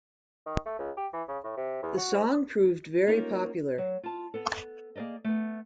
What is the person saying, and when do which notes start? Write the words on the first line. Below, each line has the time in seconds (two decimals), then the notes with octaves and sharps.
The song proved very popular.
0.46 D#3
0.66 A3
0.79 C#2
0.97 G4
1.13 E3
1.28 C#3
1.44 A2
1.57 C3
1.82 E2
1.97 F#4
2.14 G#2
3.07 A#3 C#4 D#4 F4 G4 A#4
3.78 F#3
4.03 F4 A5
4.34 B3 A4
4.96 A#3 G#4 A#4 D5 D#5
5.24 A3 B3